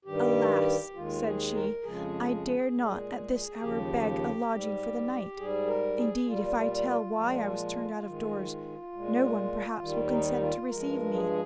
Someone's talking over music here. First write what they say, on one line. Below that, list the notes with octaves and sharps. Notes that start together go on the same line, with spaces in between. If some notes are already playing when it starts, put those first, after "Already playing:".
"Alas," said she, "I dare not at this hour beg a lodging for the night. Indeed, if I tell why I was turned out of doors, no one perhaps will consent to receive me."
G2 D#3 G3 G4
D#2 D#3 G#3 F4
G#4
A#4
F2 C#3 F3 G#3 G#4
A#2 G#3
D#2 C#3 F3 G4
G#2 G3
G#2 G3 G#4
A#4
G#4
A#2 G3 F4
A#2 F3 G#3
G#2 D#3 G#3
A#2 G#3
D#2 D#3 G3
D#4
F4
G2 F3 G#3 A#4
G#4